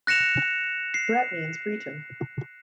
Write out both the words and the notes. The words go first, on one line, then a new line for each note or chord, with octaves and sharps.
"Bret" means 'Breton'.
F#6 A#6 C#7 E7 F7
C7